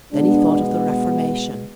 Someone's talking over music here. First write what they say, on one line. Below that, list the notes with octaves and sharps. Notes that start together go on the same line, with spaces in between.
Then he thought of the reformation.
B2 G#3 B3 D4